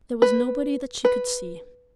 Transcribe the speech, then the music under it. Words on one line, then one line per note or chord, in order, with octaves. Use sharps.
There was nobody that she could see.
B4
B4